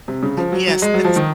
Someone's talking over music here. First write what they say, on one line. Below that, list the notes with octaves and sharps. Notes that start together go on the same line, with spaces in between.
Yes, and that's
C3
C#3
F3
F#3
F#3
G#3
F#3
F3
D#3